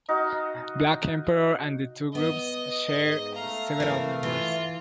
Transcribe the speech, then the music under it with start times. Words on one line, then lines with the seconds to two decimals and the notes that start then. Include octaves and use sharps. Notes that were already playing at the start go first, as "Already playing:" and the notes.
Black Emperor, and the two groups share several members.
0.08 D#4 F#4 D#5 F5
2.15 B3 D#5
2.82 G#2
3.35 A3 F5 A#5
3.80 E3 A#3
4.23 E3 F4